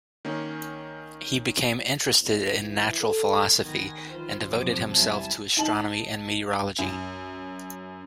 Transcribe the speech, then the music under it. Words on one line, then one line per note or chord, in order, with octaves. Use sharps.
He became interested in natural philosophy, and devoted himself to astronomy and meteorology.
D#3 A#3 C#4
E2
E3
A4
D#3 B3 G#5 A#6
D#3 E3 F4 C5
F#2 C3 F3 D6
E2 G3 E4 G#5 A5
D#4 A5 F#7
F#2